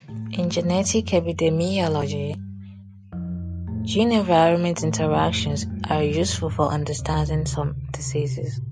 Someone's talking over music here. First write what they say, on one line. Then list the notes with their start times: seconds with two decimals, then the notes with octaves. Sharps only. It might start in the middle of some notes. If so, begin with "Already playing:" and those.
In genetic epidemiology, gene-environment interactions are useful for understanding some diseases.
0.08 A2 A3
0.26 A3
0.36 G2 G3
0.63 F2 F3
1.46 G2 G3
1.64 G2 G3
1.83 G2 G3
3.12 F2 F3
3.68 A2 A3
4.78 A2 A3
4.97 F2 F3
5.15 A2 A3
5.33 A2 A3
5.51 G2 G3
5.70 G2 G3
5.88 F2 F3
6.08 G2
6.26 A2
6.44 A2
6.71 B2
6.99 D2 D3
7.26 C3
8.04 C3
8.09 B2
8.38 A2